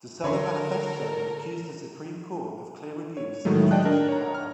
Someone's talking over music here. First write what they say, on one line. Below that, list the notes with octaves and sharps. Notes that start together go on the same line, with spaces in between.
The Southern Manifesto accused the Supreme Court of clear abuse of judicial power.
D3 A4 A#4 C#5 B5 C6
C#5
A2 D#3 F#3 G#3 A3
D5 D#5 G5 A5 F#6
D4 A#4
C#5 A#5
F6